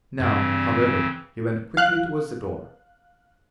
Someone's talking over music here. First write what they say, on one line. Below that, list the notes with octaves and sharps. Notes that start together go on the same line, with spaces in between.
Now, however, he went quickly toward the door.
G2 C#3 E3 C4
F5 F#6